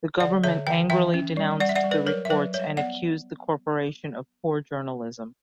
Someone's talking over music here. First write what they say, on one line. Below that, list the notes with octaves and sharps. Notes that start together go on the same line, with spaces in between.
The government angrily denounced the reports and accused the corporation of poor journalism.
D3 D5 F#5
D3 C#5 E5
E3 G5
E3 E5 G5
C#4
G3
G3 D5 F#5
E5
D5 F#5
G3
B4 D5
F#3 A#4 C#5
E5
F#3 B4 D5
G3 C#5 E5
B3 D5 F#5